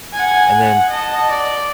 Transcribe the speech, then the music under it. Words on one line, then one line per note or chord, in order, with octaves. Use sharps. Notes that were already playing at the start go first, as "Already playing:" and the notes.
and then
F#5 G#5
F#5
D#5 A5
D5